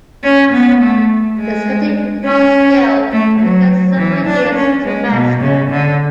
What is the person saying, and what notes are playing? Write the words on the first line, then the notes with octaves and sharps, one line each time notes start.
Its cutting requires skill, taking several years to master.
C#4
B3
A3
G#3
C#4
A3
F#3
E3
D4
C#4
G#3
B2
C#3
D3